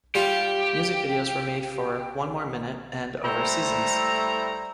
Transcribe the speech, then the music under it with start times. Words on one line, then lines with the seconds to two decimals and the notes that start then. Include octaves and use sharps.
Music videos were made for "One More Minute" and "Over Seasons".
0.15 G3 F4 G4
3.24 G3 A3 E4 C5 A#5